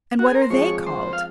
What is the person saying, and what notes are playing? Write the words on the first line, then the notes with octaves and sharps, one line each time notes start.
"And what are they called?"
F#4
G#4
A#4
C5
F3 G#3 C4 F4 C#5
C5
F5